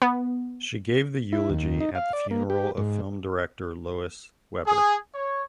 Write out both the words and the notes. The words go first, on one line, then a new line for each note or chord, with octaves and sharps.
She gave the eulogy at the funeral of film director Lois Weber.
B3
E4
D#2
D#4
F5
D5
A#3
G4
G#2
G#4
C#5